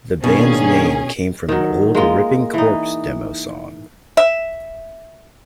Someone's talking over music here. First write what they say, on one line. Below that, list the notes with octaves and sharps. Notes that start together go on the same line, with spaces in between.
The band's name came from an old Ripping Corpse demo song.
B2 D#3 A#3 C#4 D4 G#4
D#3 F#3
G#3 A#3 F4
E3 D#4
E5